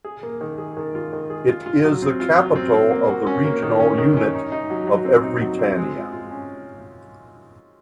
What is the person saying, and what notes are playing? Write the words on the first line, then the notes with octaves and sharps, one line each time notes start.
It is the capital of the regional unit of Evrytania.
G#4
A#3
D#3
G#4
D#3
F4
D#3
G#4
F4
F4
F#3
C4
F4
F#3
C4
C4
A#3
F#4
C#4
A#3
D#3
C#4
D#3
C#4
D#4
D#4
F#3
F#3
C4
D#4
F#3
C4
G#3
F4
F4
C#4